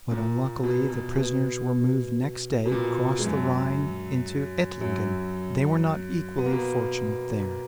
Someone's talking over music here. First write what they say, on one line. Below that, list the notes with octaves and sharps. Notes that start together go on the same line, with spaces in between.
But, unluckily, the prisoners were moved next day across the Rhine into Ettlingen. They were not equally fortunate there.
A#2
B2
B2
B2
B2
A#2
G#3
F#2 F#3
F#2 F#3
B3
A#3
B2 B3